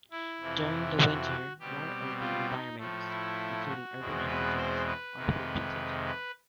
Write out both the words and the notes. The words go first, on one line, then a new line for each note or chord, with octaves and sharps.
During the winter more open environments, including urban habitats, are frequented.
E4
F2 C3 E3
F#4
B2 G3 C4 G4
F4
D#4
A2 F3 A3
E4
F#4
E2 B2 G#3 C4
B4
C5
B4
F2 C3 D#3 G#3
B4